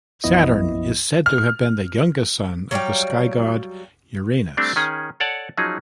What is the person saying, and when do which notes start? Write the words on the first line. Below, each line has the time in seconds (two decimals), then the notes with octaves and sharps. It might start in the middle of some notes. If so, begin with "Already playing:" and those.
Saturn is said to have been the youngest son of the sky-god Uranus.
0.24 B1 F#2 F3 B3 E4 D#5
1.26 F6
2.71 F#3 G3 F5 G5
4.57 G3 A3 C4 D4
4.76 D#3 C#4 G#4
5.20 A4 C#5 D5 F#5 A5
5.57 F3 F#3 C#4 D#4 G#4